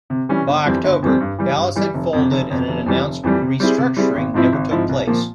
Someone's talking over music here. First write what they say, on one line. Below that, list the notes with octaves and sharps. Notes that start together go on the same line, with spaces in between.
By October, Dallas had folded and an announced "restructuring" never took place.
C3
E3 G3 C#4
G1
F2 E3 G3 C4
G1
F2 E3 G3 C4
G2
E3 G3
G2
E3 G3
F1
F2 C3
F1
F2 C3
F1
F2 E3 G3
F1
F2 E3 G3
C3
G3 C4 E4 G#4
C3
G3 C4 E4 G#4
G#1
G#2 F3 C4 E4
G#1
G#2 F3 C4 E4
C2
A#2 F3 A#3